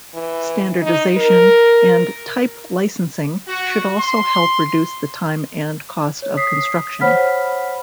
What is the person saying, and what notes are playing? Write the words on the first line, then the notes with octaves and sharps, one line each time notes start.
Standardization and type-licensing should also help reduce the time and cost of construction.
E3
D#4
A#4
F#4
C6
C#5
D#6 B6 C7
C5 C#5 F#5 B5 F6 B6